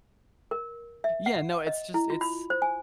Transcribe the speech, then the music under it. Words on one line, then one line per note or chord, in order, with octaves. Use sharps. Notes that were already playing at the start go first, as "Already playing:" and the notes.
Yeah, no, it's just it's
A#4
E5
F#5
D#5
E4
F4
B5
C5
G#5